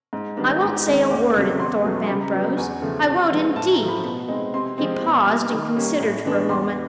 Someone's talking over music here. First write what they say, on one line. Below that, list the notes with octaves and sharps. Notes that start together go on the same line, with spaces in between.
"I won't say a word at Thorpe Ambrose, I won't indeed!" He paused, and considered for a moment.
G#2
D#3 G3 B3 D4
G#2
D#3 G#3 C4 D#4
E2 D6
C#3 F#3 A3 C4
E2 C6
B2 F#3 A3 C#4
C#3 B5
A#5
F#3 B3 A#5
E2 G#5
C#3 F3 A3
C3
F3 G#3 B3
A2 A5
A#5
F3 A3
B5
B2 B5
G#3 C4 D#4
C3 C6
F3 G#3 C4
B2
G3 A#3
D#3
G3 A#3 C#4
A2
E3 G#3 B3 D4
E2 C6